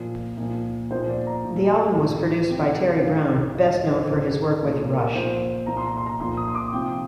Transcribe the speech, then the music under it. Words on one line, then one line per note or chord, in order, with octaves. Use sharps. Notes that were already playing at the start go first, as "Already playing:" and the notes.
The album was produced by Terry Brown, best known for his work with Rush.
Already playing: A#2 F3
A#2 F3
A#2 F3 C5
D5
A#5
A#2 F3
A2 F3
C3 F3 G5
A2 F3 F5
A2 F3 D#5
D#5
C5
A2 F3 A#4
A4
A4
A#2 F3 A4
A#4
A#2 F3 C5
A#2 F3 A#5
C6
A#5
C6
A#5
A#2 F3 C6
D#6
C6
D6
C3 F3 G5